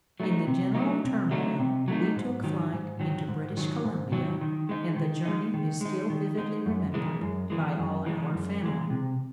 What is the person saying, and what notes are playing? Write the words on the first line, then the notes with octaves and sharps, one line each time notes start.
In the general turmoil, we took flight into British Columbia, and the journey is still vividly remembered by all our family.
F#3 A3 D#4
C3
F#3 A3 D#4
C3
F#3 A3 D#4
C3
F#3 A3 D#4
G#2
D#3 F#3
G#2
D#3 F#3
G#2
D#3 F#3
G#2
D#3 F#3
D#3
G#3 D#4
D#3
G#3 D#4
D#3
G#3 D#4
D#3
G#3 D#4
F#2
E3 G#3
F#2
E3 G#3
F#2
E3 G#3
F#2
E3 G#3
C3